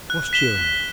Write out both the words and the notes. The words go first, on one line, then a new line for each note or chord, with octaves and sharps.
What's cheerin' him?
F#6
B6 E7 G7